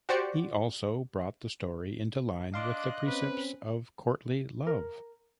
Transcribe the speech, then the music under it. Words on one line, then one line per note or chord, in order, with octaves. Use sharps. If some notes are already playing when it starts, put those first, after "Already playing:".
He also brought the story into line with the precepts of courtly love.
F#4 G4 C5 D5 C#7
D4 D#5 F5 C6 D6 F#6
C4 C#4 B4
A#4